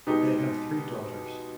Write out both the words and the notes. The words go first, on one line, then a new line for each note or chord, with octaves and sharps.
They have three daughters.
B2 G#3 D#4 G4